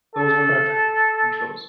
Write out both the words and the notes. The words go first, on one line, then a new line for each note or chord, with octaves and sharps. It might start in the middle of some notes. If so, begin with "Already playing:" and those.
that was one of my favorite cartoon shows.
A4